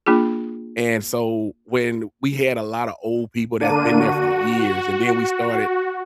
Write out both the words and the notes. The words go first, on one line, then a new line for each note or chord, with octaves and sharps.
and so, when we had a lotta old people that's been there for years, and then we started
A#3 D4 F4 G#4
D3 A#3 D4 D#7
F#4